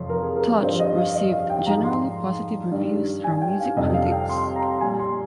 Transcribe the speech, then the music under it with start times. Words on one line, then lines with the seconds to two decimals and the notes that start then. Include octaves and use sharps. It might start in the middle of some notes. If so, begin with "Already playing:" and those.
"Touch" received generally positive reviews from music critics.
Already playing: F2 C3 F3 C#5 C6
0.09 A#4
0.22 G#4
0.36 A#4
0.49 A#4
0.63 G2 F3 C5
0.79 D#5
0.97 F5
1.14 D#5
1.32 F5
1.50 G5
1.67 G#2 F3 A#5
1.84 C6
2.71 G2 D#3 G3
3.24 G#5
3.41 G5
3.60 F5
3.76 F2 C3 G3 D#5
3.94 F5
4.12 G5
4.29 C6
4.56 A#5
4.81 A#2 G3 G#5
5.00 C6